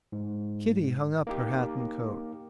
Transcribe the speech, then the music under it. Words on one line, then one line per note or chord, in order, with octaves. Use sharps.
Kitty hung up her hat and coat.
G#2
A#3 D#4 G4